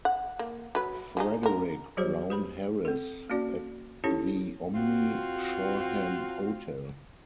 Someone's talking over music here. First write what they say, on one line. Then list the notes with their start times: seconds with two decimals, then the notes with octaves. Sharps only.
Frederick Brown Harris at the Omni Shoreham Hotel.
0.05 F#5
0.39 A#3
0.75 F#3 B4
1.17 F3 G#3 D#4
1.43 D3 A#4
1.97 F#3 G3 F#4 G#4 C5 C#5
2.30 G4 B4 B5
2.85 C4 A4
3.30 A#3 C#4 F#4 D5
4.04 C#4 D#4 E4 G4 A4 C#5
4.75 C4 F4 F#4